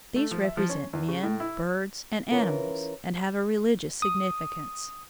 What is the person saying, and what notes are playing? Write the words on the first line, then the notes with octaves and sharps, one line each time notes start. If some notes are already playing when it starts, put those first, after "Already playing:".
These represent men, birds and animals and have a religious significance.
A3
F3
E5
F3
C#4
E2
C#3
A2
E4
E3 C#4 F4 A#4
D#6